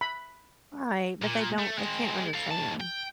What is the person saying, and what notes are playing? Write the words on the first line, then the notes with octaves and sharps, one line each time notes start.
Right, but they don't they can't understand.
B5
A#2
A3
G#3 C4
A4 F5
D#2 A5
G5